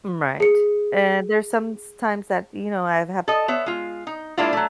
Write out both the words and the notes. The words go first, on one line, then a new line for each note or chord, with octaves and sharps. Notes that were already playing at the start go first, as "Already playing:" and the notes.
M right, and there's sometimes that, you know, I've had
G#4 C#7
A4 D#5
B3 C#5 E5
G#3 F4
D#4
G#3 A#3 D4 E4 F4
F#3 A3